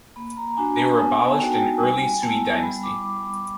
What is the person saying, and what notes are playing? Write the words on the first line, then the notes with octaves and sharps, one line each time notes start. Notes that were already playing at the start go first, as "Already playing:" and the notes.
They were abolished in early Sui dynasty.
A#3 B5
A#5
D4 F#4 G#5
A5
B3 G#5
A5
D#4 F#4 G5
G5
G3 G#5
B3 E4 A5
G3 B5
D6